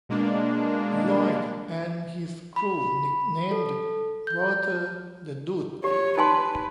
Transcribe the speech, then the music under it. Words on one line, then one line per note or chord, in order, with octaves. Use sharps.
Lloyd and his crew nicknamed Walter "The Dude".
B2 G#3 A#3 D4
B5
A4
G6
G4 C#5
D#4 B4 G#5 C6